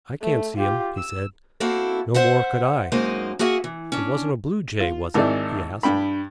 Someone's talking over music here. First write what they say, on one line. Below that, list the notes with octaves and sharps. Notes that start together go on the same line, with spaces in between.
"I can't see him," he said. No more could I. "It wasn't a blue jay, was it?" he asked.
A3
F4 G4
E6
A#3 C4 E4 F#4 A4
C5 E5 F#5
F#2 G#3 A#3 D#4 C5 D#5
A#3 F#4 G#4 E5 F#5
E3
C#4 D4
F4
G#1 G#2 D#3 E4 D5
G2 G5 B5